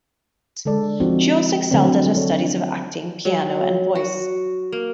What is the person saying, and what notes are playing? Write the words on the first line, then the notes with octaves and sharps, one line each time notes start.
She also excelled at her studies of acting, piano and voice.
D3 G#3 A4 D5
F3 C4 D#4 F4 F#4
D3 F#3 A3 C4 D5
D4 A4 C#5
D4
F#3
F#4
A#3